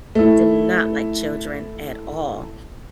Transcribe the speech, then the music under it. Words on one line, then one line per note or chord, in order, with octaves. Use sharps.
did not like children at all.
A3 E4